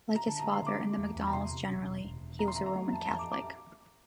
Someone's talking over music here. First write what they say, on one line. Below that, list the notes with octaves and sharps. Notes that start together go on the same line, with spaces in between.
Like his father and the MacDonnells generally, he was a Roman Catholic.
A#5
D3 A5
A3 A#5
C6
D3 D6
A3
E2
E2
A#5
C3 C6
C3
E1
E1
E1
E1
C4 A#5
C6
D3 A#5
A#5
A3
F2 A5
F2 A#5
D6
D6